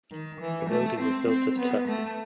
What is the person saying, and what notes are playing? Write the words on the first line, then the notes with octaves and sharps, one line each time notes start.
The building was built of tuff.
D#3
E3
A3
C4
C4
B3
A3